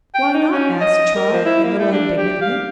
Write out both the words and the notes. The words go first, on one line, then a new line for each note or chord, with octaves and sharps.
"Why not?" asked Trot, a little indignantly.
G5
D#4
C#4
D#5
A#4
F3
E4
A#3
A3
D4
G4
F5